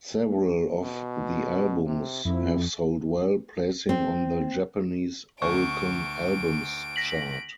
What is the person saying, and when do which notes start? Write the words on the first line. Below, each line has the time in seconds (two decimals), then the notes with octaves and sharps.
Several of the albums have sold well, placing on the Japanese Oricon Albums Chart.
0.83 B2
1.86 C3
2.25 F2 E4
3.89 C4
5.42 D2 C#6 D7
6.96 A#6 B6 F#7